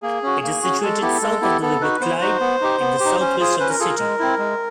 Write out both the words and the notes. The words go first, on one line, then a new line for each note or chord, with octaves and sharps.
It is situated south of the River Clyde, in the south-west of the city.
A#3 G#4
C#4 F#4
A#3
C#4 F#4
G#3 A4
B3 E4 G4
G#3
B3 E4 G4
B3 A4
D#4 F#4 B4
B3 C5
D#4 F#4
B3
D#4 G4
B3
G4
D#4
C#4
F4 G#4
C#4 B4
A#4
F4 G#4 A4
A#4
G#3
C4 E4
G#3